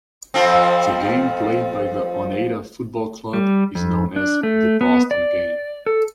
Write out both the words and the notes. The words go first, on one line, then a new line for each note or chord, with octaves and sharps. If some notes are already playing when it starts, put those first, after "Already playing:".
The game played by the Oneida Football Club is known as the "Boston game".
F2 F3 C4
G3
F2
D4
A3
B3
D5
A4